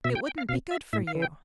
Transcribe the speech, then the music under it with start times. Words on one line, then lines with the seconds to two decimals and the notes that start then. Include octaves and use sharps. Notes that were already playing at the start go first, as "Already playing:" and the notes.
It wouldn't be good for you.'
0.04 B2 E5
0.15 G5
0.26 G5
0.38 F5
0.49 B2 F5
0.71 E5
0.93 A2 E5
1.07 F5
1.15 E3
1.22 G5